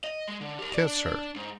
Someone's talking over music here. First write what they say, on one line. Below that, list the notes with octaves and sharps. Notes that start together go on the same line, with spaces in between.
Kiss her!
D#5
G#3
D3
G4 A#4
D4 D5
G#2